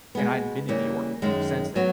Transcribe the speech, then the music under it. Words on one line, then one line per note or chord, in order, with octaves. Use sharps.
and I hadn't been to New York since then,
B2 G#3 B3
C#3 E3 G3 A#3
F#2 D#3 G#3
F#3 B3